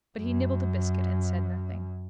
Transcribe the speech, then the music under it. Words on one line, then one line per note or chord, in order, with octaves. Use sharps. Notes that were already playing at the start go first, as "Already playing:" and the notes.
But he nibbled a biscuit, and said nothing.
F#2